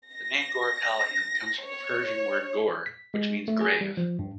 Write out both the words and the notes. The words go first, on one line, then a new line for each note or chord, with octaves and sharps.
The name Gorippalayam comes from the Persian word "gor" which means "grave".
A#6
C#5
B6
G#3
A3
G#4
G3
F3
G2